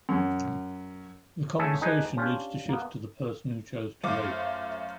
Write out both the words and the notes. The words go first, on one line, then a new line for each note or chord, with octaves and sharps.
The conversation needs to shift to the person who chose to rape.
F#2
A3 C#4 E4 G#4 A4 E5
D4 D#4 G4 G#4 B4
C#4 D4 F4 G4
A#3 B3
F#2 A3 F4 C5 D6